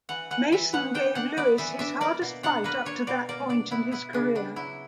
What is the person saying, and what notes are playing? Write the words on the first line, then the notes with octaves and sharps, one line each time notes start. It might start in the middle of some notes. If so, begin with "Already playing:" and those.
Mason gave Lewis his hardest fight up to that point in his career.
E3 F#5
E3 F#5
E3 E5
B3 F#5
D4 G5
D4 F#5
B3 D5
E3 E5
D4 E5
A#3 D5
B2
D4 F#5
A#3 B4
D4 C#5
B2 D5
A#3 D5
D4 D5
B3 E4
B3 E4
C#3 D4
B3 D4
F#3 E4